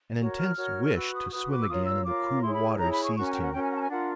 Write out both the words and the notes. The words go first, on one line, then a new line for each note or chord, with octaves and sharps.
An intense wish to swim again in the cool waters seized him.
F#4 A#4 C#5
F6
F#4 A#4 C#5
F6
F#4 B4 E6
D#6
F#4 B4 D#6
D6
E6
F4 A#4 C#5 D#6
E6
F4 A#4 C#5 D6
E4 G#4 C#5 C6
B5
E4 G#4 C#5 A#5
B5
C#6
C#4 F#4 A#4 C#6
G#5
G5
F#5
C#4 F#4 A#4 G5
G#5
F#5
A5
G#5
D4 F4 A#4 F#5